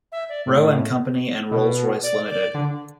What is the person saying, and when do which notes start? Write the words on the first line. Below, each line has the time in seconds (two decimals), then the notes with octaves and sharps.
Roe and Company and Rolls Royce Limited.
0.12 E5
0.29 D5
0.47 A2
1.51 B2
2.03 D5
2.30 D5
2.54 D3